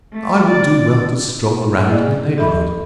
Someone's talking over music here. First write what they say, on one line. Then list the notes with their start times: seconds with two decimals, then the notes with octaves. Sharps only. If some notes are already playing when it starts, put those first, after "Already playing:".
I would do well to stroll around in the neighborhood.
0.13 A3
0.46 D5
1.87 A#3 E4 G#4 D5 D#5
2.37 F3 A4 E5 B5